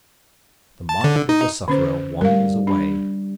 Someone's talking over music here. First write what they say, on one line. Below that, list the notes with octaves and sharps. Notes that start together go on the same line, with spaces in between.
The mind of the sufferer wanders away.
A5
D3
D#4
D3 C#4 C5
G3 A#4 F5
D4